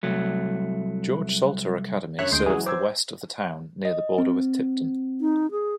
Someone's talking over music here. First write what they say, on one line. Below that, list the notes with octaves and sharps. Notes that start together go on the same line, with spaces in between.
George Salter Academy serves the west of the town near the border with Tipton.
C2 F#3 A3
F#2 D3 C#5 E5 F#6
D2 C#3 G#3 C6 G6 D7
E3 F#3 G#4
C5 D6 E6 G#6
D#5
C4
D#4
G#4